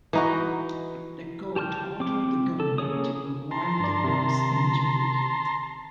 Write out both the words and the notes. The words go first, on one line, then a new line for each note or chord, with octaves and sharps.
The court ordered the government to provide the drugs immediately.
E3 D#4 F#4
G4 A5 C6 F6 G6
C4 D6
A4
A#3 C#4 G#4 C#5 D#6
A5 A#5 C6
G2 D5
C3 D#3